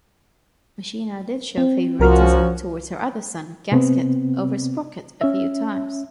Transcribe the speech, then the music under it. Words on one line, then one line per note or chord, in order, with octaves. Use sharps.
Machina did show favoritism towards her other son, Gasket, over Sprocket a few times.
C4
C2 F3 C#4 F#4 A#4 F6
C3 B3 C4
C#4 E5